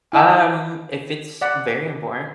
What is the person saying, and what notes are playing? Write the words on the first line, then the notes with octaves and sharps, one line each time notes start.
Um, if it's very important,
E4 D#5 E6
D5 F#5